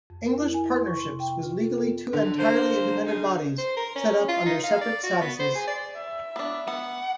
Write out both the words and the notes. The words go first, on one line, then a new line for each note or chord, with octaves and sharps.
English Partnerships was legally two entirely independent bodies set up under separate statutes.
F2
A#4
E4
G#5
C6
C#6
C3
G5
F4
A4
B3
D3
A#3 C5
C#3 D#4 G#4
C5
A#4
C#4
F4
D#4
F5
D5
F#4
B3
C5
G#4
D5
E5
B3 D4
B3 F#5